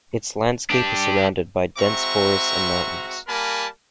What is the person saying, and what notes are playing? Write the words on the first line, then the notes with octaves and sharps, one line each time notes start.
Its landscape is surrounded by dense forests and mountains.
D4 G4
G#3 C4 F#4 E5 A#5 C#6
G3 A#3 A#4 G#5 A5 B5